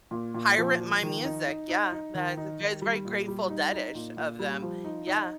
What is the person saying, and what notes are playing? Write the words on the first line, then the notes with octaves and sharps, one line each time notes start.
Pirate my music. Yeah. That is a that is very Grateful Dead-ish of them. Yeah.
A#2
A#2
F3
F3
D#3
D#4
D#4
D#4
D#4
D#3
D#4
D#3
G3
A#2
G3
D#4
D#4
A#2
A#2
G3
F3
D#4
D#4